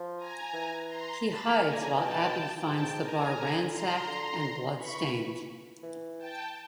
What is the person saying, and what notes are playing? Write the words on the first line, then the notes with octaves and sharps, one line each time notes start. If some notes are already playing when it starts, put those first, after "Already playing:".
He hides while Abby finds the bar ransacked and bloodstained.
Already playing: F3
G#5 A#5
E3
A#5 C6
A5 B5
D#3 G#5 A#5
D3
C#3
B2 G5 A5
G#2 G5 A5
G#5 A#5
D3
A#5 C6
D3
E3 B5 C#6
E3
G5 A5